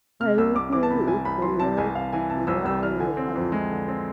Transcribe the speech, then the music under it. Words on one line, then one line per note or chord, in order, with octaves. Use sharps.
Klyuchi is the nearest rural locality.
C3 F6
C2 E6
C2 D6
E3 D6
A5
C3 B5
C2 G#5
C2 B5
E3 C6
C3 A5
C2 G#5
C2 F5
E3 G#5
C3 A5
C2 E6
C2 E6
E3 F6
D3 G#5
C4
F2
G#3
D3
C4